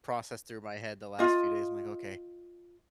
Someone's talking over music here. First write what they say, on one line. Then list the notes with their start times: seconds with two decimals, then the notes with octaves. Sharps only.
process through my head the last few days, I'm like, “Okay.
1.19 F4 D#5